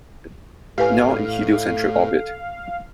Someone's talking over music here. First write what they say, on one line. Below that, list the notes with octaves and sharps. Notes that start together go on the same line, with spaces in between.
Now in Heliocentric orbit.
A2 G4 A4 B4 F5 G#5